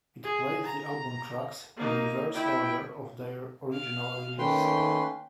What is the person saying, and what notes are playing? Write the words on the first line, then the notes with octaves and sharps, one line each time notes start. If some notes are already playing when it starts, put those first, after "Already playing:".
It plays the album tracks in reverse order of their original release.
G#4
A#5
A#3 D#4
E4 G5
F5
D#3 A3 A#3 C#4 B4 G5 C6